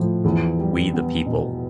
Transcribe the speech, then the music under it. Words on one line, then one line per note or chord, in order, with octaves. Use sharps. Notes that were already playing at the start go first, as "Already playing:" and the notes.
We the People!
Already playing: A2 F3
E2
G3
B3
B2